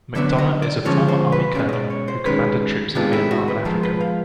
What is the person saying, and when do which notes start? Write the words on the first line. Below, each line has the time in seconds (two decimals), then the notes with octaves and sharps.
McDonough is a former Army colonel who commanded troops in Vietnam and Africa.
0.15 D3 F#3 B3 D4 E5
0.38 D#5
0.62 D5
0.85 D3 F3 G#3 C#4 C#5
1.08 C5
1.32 B4
1.55 B2 G#3 C#4 D5
1.69 D#5
1.73 D5
1.90 C#5
2.08 C5
2.25 D#3 G#3 C#4 B4
2.95 C3 D#3 G#3 B3 D4 F4
3.13 E4
3.31 F#4
3.48 B4
3.65 F3 G#3 B3 A#4
3.83 B4
4.01 F5